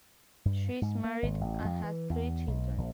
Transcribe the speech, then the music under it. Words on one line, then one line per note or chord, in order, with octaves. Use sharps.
She is married and has three children.
G2
G#2
A#3
G#1
A1
F2
E3
E2
B1
A#1